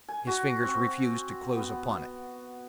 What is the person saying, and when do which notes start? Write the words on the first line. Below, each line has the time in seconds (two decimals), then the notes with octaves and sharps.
His fingers refused to close upon it.
0.09 G#5
0.27 F#4
0.63 C4
1.56 B3